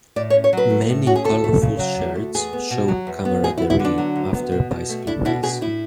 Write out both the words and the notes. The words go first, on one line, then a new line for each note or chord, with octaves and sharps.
Men in colorful shirts show camaraderie after a bicycle race.
A2 D5
C#5
C#4
C#5
F#3 B4
A3
A2
C#4 F#4
G#4
D2 A4
A3
C#3
F#3
D2
A3
E2 G#4
B3
B2
F#3
E2
B3
D2 G#4
E4
B3
E4
D3
D4
F#3
D2
B3
B2
B2
A3
D4 E4
B2 E4
B2 G#4
A2 E4